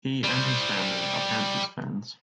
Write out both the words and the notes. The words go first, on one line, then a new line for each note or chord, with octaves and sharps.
He and his family are Panthers fans.
G3 C5